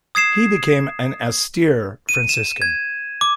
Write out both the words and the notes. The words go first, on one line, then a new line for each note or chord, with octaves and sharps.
He became an austere Franciscan.
D#6 G#6 C7 E7
D#7
E7
G#6
D6